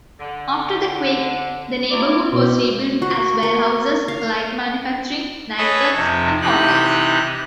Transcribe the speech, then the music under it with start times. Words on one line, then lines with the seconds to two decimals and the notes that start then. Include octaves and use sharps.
After the quake, the neighborhood was rebuilt as warehouses, light manufacturing, nightclubs, and hotels.
0.19 D3
1.91 F#3 E4 D5
2.33 G2 B2
3.02 F#4
3.43 A#4
4.08 F5
5.58 G#4 A4 B4 C#5 D#5 B5
5.95 F2 C3
6.41 C3 E3 D#4 G4 F#6